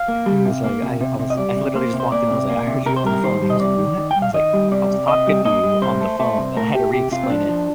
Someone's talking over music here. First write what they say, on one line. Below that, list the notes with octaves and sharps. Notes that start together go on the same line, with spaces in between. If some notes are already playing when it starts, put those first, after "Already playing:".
He was like I I was I literally just walked in. I was like, "I heard you on the phone." He was like, "What?" I was like, "I was talking to you on the phone," and I had to re-explain it-
Already playing: F5
A#3
G3
C3
A#3
C3
C3
C3
D#5
G3 D5
C3
A#3 C5
C3
C5
A#3 D5
C3
A#3
C3
C3 A#4
C5
G3 A#4
D#3 C5
G3
D#5
C3 D5
D#3
D#3
G5
G3
F5
D#3 D#5
G3
C3 D5
C3
C3 D#5
G3
A#3 D#5
G3
C3 C5
A3
A3
C3
A3 A#4
A3 G4
C3 G4
C3 F4
C4
F3 D4
F3